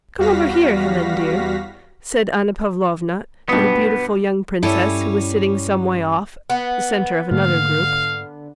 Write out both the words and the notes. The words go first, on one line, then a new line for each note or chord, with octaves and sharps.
"Come over here, Helene, dear," said Anna Pavlovna to the beautiful young princess who was sitting some way off, the center of another group.
E2 G3 F#4 F5 A#6 B6
G2 B2 B3 B4 D#6
G2 G3 C#4 E4 A4
B3
G#2 D3 A3 A#3 F5